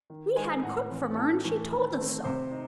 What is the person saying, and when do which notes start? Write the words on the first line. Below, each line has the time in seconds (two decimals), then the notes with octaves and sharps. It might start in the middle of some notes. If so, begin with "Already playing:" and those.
We had cook from her, and she told us so.'
0.10 D#3
0.36 G#3 D#4 G#5
0.63 A2 F#5
0.91 E3 C4
1.17 A2 A4
1.44 E3 A3
1.71 D#3
1.98 A3 C4
2.24 C3 C5
2.51 D#4